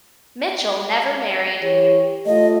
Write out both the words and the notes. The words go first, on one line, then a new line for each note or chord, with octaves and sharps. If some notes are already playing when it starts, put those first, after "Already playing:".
Mitchell never married.
E3 G4 C#5
A3 F4 D#5